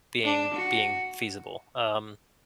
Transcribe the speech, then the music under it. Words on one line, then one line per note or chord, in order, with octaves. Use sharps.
being being feasible, um,
D4
F#4